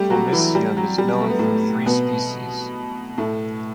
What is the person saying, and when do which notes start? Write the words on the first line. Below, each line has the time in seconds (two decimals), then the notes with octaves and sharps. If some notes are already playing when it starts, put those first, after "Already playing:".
"Formicium" is known from three species.
Already playing: G3 A3 G4
0.10 F#3 F#4
0.32 E3 E4
0.55 G3
0.77 F#3
0.98 G3
1.20 A3
1.30 B3
1.39 A2 A3
1.86 B2 B3
3.18 A2 A3